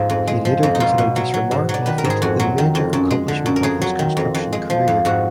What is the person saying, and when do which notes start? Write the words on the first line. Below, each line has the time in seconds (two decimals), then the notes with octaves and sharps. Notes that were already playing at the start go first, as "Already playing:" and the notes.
He later considered this remarkable feat the major accomplishment of his construction career.
Already playing: G#2 F3 G#3
0.10 F2
0.27 G#3
0.45 F3
0.63 F2
0.75 D#4
0.80 B2 F4
0.98 B2
1.16 F#3
1.34 F#3
1.51 G#2
1.69 F#3
1.74 D5
1.86 D#3 B4
1.98 A#4
2.05 G#2
2.10 G#4
2.22 F2 F#4
2.40 F#3
2.58 D#3
2.75 F2
2.93 F#2
3.11 G#3
3.28 D3
3.46 F#2
3.56 A#4
3.63 F2 G#4
3.82 F#3
3.99 D#3
4.17 F2
4.34 F2
4.53 G#3
4.70 F3
4.88 F2
5.05 G#2 F#4